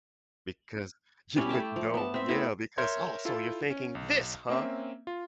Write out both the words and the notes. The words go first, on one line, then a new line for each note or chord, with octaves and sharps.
because you would know, yeah, because, oh, so you're thinking this, huh,
G3 C#4 E4
A3 G5 A5 D6
F3
B3 A5
C4 E5
A3 B3 E4
A#4 C#5 E5 C6 G6 G#6
E4 F4 A4
C#4
B1
A#3 C4 C#4 E5
F4